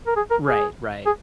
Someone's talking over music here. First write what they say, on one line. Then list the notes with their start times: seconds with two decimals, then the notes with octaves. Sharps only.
Right, right.
0.07 A#4
0.17 G#4
0.31 A#4
0.47 G#4
1.06 G#4